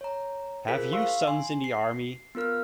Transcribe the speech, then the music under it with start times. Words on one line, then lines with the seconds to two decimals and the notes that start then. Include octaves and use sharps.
Have you sons in the army?
0.01 C#5 A#5
0.68 F4 G#4 A#4 C5 B6
0.92 F5 C6 C#6 E6
1.27 G#5 C6
1.64 C7
2.35 B3 F4 A#4 F6